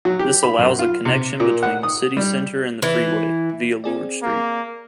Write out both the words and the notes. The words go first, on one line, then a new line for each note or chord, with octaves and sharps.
This allows a connection between the city centre and the freeway, via Lord Street.
F#3
G4
B5
F#2
F4
C3
A#2
F#5
D#6
G3
E3
C4 G#4 D5
A#3